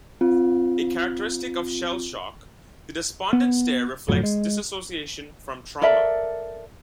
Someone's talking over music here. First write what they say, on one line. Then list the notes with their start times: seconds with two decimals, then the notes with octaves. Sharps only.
A characteristic of shell shock, the despondent stare reflects dissociation from trauma.
0.21 C4 F4
3.33 B3
4.08 G1 F2 A2 F#3
4.23 G#3
5.82 A4 A#4 D5 E5